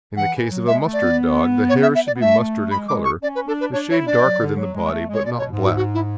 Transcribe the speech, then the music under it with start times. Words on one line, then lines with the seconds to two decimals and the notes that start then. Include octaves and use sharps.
In the case of a mustard dog the hair should be mustard in colour, a shade darker than the body, but not black.
0.17 E3 F#5
0.34 E3
0.51 F#3
0.67 G#3 E5
0.85 A3
0.93 D5
1.02 B3
1.69 C#5
1.82 E5
1.95 E5
2.07 D5
2.16 B3
2.21 A3 E5
2.70 G#3 B5
2.88 G#3 D6
3.05 C#6
3.23 C#4 D5
3.35 B4
3.47 D4 A4
3.60 B4
3.73 D4 C#5
3.90 E4 C#5
4.07 D4 D5
4.24 F#3
4.41 D3
4.57 F#3
4.74 G#3
4.86 G#3
4.91 A3
5.08 G#3
5.13 C#5
5.25 B2 D5
5.38 C#5
5.51 G#2
5.64 F#4
5.76 F#4
5.94 E4